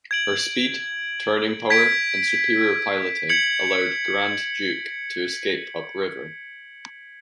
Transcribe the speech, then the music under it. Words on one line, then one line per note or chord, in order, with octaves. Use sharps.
Her speed, turning power, and superior piloting allowed "Grand Duke" to escape up river.
G#6 D7 F#7
G#6 B6 D7
G#6 C#7 F#7